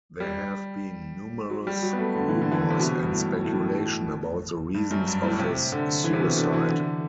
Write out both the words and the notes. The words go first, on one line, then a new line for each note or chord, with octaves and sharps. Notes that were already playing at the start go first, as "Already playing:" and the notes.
There have been numerous rumours and speculation about the reasons of his suicide.
G3
F#3
G3
F#3
B3
A3
D3
E3
D3
E3
D3
C3
B2
G2
A2
A2
G2
F#2
G2
A2
C3
D3
E3
C3
B2
D3
E3
D3